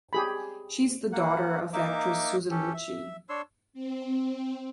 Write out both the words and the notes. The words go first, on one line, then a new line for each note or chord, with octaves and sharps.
She is the daughter of actress Susan Lucci.
G4 G#4 B5
A#3 F#5
A#3 D#4 E5 D6
C#4 G4 A4
E5
D4 C#5 C6 E6
C4